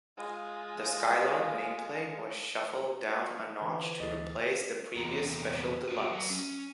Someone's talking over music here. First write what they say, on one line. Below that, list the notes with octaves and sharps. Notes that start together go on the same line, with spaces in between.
The Skylark nameplate was shuffled down a notch to replace the previous Special Deluxe.
G#3 F4
D3 E3 F4 B4 C5 G#6
D2 B2 E3 B3 G#4 A4 D#5 A6
E2 C3 E3 B3 G#4 A#5
G4 G#4 A#4 B4
F#3
C#4